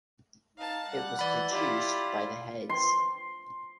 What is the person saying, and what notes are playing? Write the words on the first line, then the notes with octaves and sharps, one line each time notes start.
It was produced by the Heads.
D#4 F5 A5
G3 F#5
E3 D5 B5
E4 F4 G4
C6